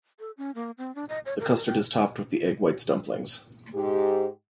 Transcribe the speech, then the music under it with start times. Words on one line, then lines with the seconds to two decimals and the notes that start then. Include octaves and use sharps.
The custard is topped with the egg whites dumplings.
0.20 A4
0.37 C#4
0.55 A#3
0.78 C4
0.95 D4
1.09 D#5
1.26 C#5
1.40 A#4
1.56 A#4
1.67 G5
3.75 G#2 G4